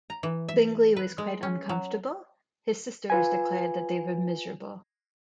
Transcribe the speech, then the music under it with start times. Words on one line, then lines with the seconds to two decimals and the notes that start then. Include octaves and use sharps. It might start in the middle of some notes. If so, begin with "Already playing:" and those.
Bingley was quite uncomfortable; his sisters declared that they were miserable.
0.10 A#5
0.23 E3
0.48 E5
0.96 B4
1.18 G#3
1.43 C#4
1.69 F#3
3.10 F4 B4 G#5